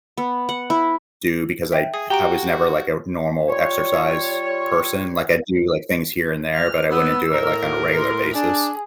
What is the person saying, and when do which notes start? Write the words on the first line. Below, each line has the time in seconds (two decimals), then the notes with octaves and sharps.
do because I I was never, like, a normal exercise person. Like, I do, like, things here and there, but I wouldn't do it, like, on a regular basis,
0.17 B3
0.49 F#5
0.70 E4
1.72 E5 G5
1.94 G#4 D#6
2.10 F#4 G4 G5 A#5 D7
3.48 G3 F4 C#5
6.53 F6
6.91 B3 E6
7.32 A2 A#4
7.65 F#4
7.96 C6
8.34 D4 G#4